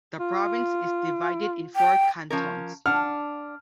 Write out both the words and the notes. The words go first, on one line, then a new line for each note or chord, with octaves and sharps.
The province is divided in four cantons.
F4
G5
F3 C#4 A#4
D4 F#5 F6